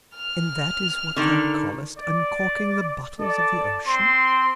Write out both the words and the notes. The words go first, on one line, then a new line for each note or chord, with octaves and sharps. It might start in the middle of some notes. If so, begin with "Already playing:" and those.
"And that is what thou callest uncorking the bottles of the ocean?"
F6
D3 D#3
D5
A4 D5
C4 C6